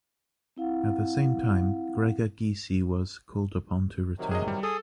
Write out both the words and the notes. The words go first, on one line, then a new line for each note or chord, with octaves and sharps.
At the same time, Gregor Gysi was called upon to return.
C4 E4 F5 F#5
C3 D#3 F#3
G#4 D#5
G3
G#4 A4 D#6